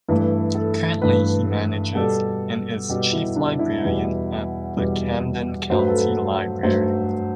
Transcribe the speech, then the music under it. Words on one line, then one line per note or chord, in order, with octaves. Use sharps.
Currently he manages and is Chief Librarian at the Camden County Library.
G2 E3 A3 E4
A4
G2 E3 A3 B4
B2 G3 A4
B2 G3 G4
E4
D4
E4
E2 B2 G3
E2 B2 G3
G2 F#3 A3 C5
B4
A4
B4
G2 F#3 A3 C5